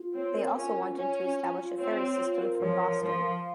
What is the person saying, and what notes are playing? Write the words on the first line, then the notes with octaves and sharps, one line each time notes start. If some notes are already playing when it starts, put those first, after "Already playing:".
They also wanted to establish a ferry system from Boston.
Already playing: F4
C4 C#5
A#4
C#4 F4
F4
C#4 C#5
F4
F4
F4
C4 C#5
C#5
F4
A#4
F3 C#5
A#4
F3 C6
F5